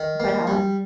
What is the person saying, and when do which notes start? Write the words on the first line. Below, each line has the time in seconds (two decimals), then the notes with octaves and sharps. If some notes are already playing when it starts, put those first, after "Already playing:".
but I
Already playing: D#3
0.20 A#3
0.47 G3